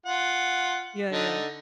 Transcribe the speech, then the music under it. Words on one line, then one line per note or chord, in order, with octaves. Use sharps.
Yeah, yeah,
F4 F#5
D3 D#4